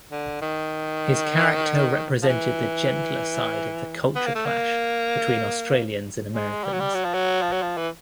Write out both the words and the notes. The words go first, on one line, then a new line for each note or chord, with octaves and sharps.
His character represented the gentler side of the culture-clash between Australians and Americans.
D3
D#3
F3
E3
B3
A#3
A3
A#3
G#3
G3
F#3
G3
F#3
F3
F#3
F3
F#3
F3
E3